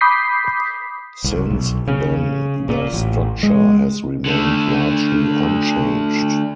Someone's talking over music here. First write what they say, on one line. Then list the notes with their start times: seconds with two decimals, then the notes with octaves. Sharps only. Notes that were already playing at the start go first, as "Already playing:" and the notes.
Since then, their structure has remained largely unchanged.
0.01 B5 D6 D#6 G6 B6 C7
1.24 C2
1.50 B1
1.88 C#3
2.69 A#2
2.93 A1
3.43 G#3
4.26 D3 A3